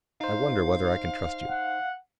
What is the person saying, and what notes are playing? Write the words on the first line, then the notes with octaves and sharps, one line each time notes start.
I wonder whether I can trust you?
D#4 C5 F5
F#5